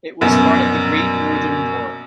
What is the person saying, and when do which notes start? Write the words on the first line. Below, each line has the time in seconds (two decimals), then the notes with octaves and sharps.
It was part of the Great Northern War.
0.21 A#1 F#2 B2